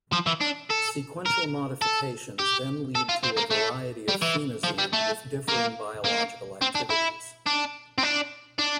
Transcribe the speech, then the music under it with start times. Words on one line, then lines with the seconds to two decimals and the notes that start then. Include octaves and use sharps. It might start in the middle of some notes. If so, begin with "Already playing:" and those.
Sequential modifications then lead to a variety of phenazine with differing biological activities.
0.13 F3
0.27 E3
0.41 D4
0.70 A4
1.26 A#4
1.82 A4
2.39 G4
2.95 A4
3.09 F4
3.23 C4
3.37 A#3
3.51 A3
4.08 G3
4.22 E3
4.64 F3
4.78 G3
4.93 A3
5.49 A#3
6.05 A#3
6.61 C4
6.75 D4
6.90 E4
7.47 D4
7.98 C4
8.03 D4
8.59 D4